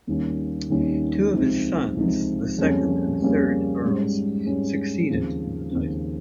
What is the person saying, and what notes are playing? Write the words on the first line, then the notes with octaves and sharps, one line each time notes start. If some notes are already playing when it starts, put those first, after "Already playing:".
Two of his sons, the second and third Earls, succeeded in the title.
D#2 D#3 G3 A#3 C#4
D#2 D#3 G3 A#3 C#4
C#2 C3 F3 C4 D#4
C#2 C3 F3 C4 D#4
F2 C#3 G3 A#3 C#4
F2 C#3 G3 A#3 C#4
G#2 G3 C#4
G#2 G3 C#4
D#2 C#3 F3 C4
D#2 C#3 F3 C4